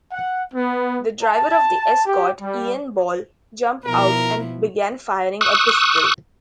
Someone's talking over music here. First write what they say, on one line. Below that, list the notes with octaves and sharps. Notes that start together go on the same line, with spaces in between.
The driver of the Escort, Ian Ball, jumped out and began firing a pistol.
F#5
B3
A5
G4
G3
B2 F3 E4 A#4
C#6 D#6 E6 F#6